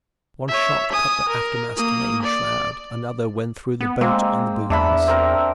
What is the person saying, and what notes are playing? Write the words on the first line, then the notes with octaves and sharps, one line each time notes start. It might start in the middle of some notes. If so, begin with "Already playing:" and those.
One shot cut the aftermost main-shroud; another went through the boat on the booms.
C#5 E5
G#5 D#6
A#4
A#3 D#6
D5
B3
G#3 A#3 C4
E2 D4 E5 B5
C4 A#4